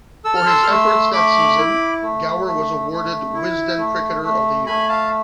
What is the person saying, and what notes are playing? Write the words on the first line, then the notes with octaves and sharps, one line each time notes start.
For his efforts that season, Gower was awarded Wisden Cricketer of the Year.
A4 E6
F6
C6 E6
F6
A3 C6 E6
A3 B5 D6
E4
A3
A3
A3
E4
A3
A3
A3 G#5 B5
F5 A5